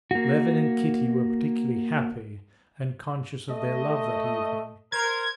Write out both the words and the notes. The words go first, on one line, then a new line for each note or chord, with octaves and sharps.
Levin and Kitty were particularly happy and conscious of their love that evening.
A#3 F#4
A3 D#5
A#4 C5 G#6